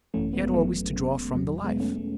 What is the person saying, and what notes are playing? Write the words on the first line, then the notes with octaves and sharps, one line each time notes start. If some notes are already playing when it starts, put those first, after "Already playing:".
He had always to draw from the life.
G#1 F#2 E3 A3 C#4
G#3 B3
F#3 A3
E2 B2 F#3
G#3 B3
A3 C#4
A3 C#4